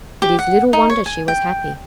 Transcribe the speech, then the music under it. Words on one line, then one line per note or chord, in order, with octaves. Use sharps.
It is little wonder she was happy.
G4
F#5
D#4
C#5
G#5
G5